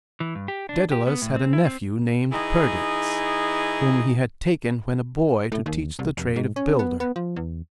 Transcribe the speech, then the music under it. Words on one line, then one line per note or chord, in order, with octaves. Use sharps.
Daedalus had a nephew named Perdix whom he had taken when a boy to teach the trade of builder.
E3
G2
G4
D4
G4
B3
A2
C4
E4
C4
E3 D#4 G#4
A2
D#2
C2
F1
G#2
C#4
B3
B3
F3
E2